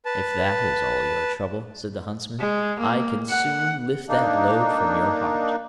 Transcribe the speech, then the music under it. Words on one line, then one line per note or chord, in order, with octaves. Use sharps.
'If that is all your trouble,' said the Huntsman, 'I can soon lift that load from your heart.'
B4 A5
G#3
A#3
F#5
A#3 D4 D#4